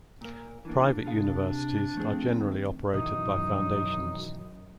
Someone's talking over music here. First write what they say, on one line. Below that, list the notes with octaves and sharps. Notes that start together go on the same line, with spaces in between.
Private universities are generally operated by foundations.
A#2 A#3
E3 A#3 D4
C3 F4 G#4 F5
F3 A3 C4 G#4
D#3
F#2 B2 D#3 E3 D#4